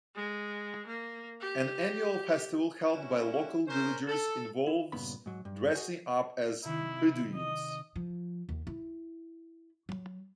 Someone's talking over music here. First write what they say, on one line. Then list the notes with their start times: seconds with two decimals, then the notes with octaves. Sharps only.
An annual festival held by local villagers involves dressing up as bedouins.
0.15 G#3
0.87 A#3
1.40 G4
2.93 G3 C#4 E4 F#4
3.68 C#4 A#4 C5
4.07 A4
4.67 E4
4.92 G2 A#2 C#3 B3 B5
5.26 G#2 F#3
5.45 G2
5.75 F#4 G#4
6.65 C3 D#3 D#4 E4
7.36 D#5
7.96 F3
8.49 D#2
8.67 E4
9.89 F#3